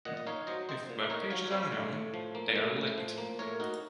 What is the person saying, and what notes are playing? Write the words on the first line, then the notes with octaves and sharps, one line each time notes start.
If webpages are known, they are linked.
A#2 D#5 F#5
D#5
D#4 C#5 F5
F#3 C5 D#5
C4 C5 D#5
A#2
D#4 A#4 C#5
F#3 C#5 F5
C4 C#5 F5
A2
A2
F3
A#3
A2
A2
F3
A#3
A2 A#4 C#5
D#4 F#4 A#4